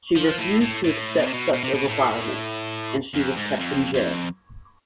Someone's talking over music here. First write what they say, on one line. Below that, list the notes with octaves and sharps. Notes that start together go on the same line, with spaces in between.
She refused to accept such a requirement, and she was kept in jail.
F3
A2
A2
A2
B2
C3
B2
B2
C3
B2
A2
F2
G#2
F2
F2